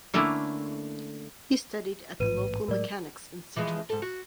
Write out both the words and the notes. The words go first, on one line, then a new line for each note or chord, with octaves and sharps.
He studied at the local Mechanics Institute.
D3 A3 A#3 C#4 D4 E4
A1 G#2 B4 D#7
A2 F#3 G#3 A#4 D5
E3 F3 G#3
G#2 A4
F#4